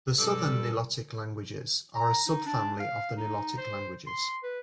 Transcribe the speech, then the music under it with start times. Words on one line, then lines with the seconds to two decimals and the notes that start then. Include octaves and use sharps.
The Southern Nilotic Languages are a sub family of the Nilotic languages.
0.19 G2 B2 F#3 G3 A4
1.95 A#5
2.26 D#4
2.46 D4
2.80 F5
3.17 D#4
3.58 C5
4.07 C6
4.43 B4